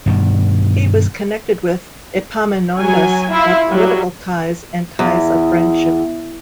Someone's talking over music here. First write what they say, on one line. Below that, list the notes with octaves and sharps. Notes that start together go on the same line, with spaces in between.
He was connected with Epaminondas by political ties and ties of friendship.
G2 B2 D#3
F#3 G#5
E4 F4
F#3 G3
E2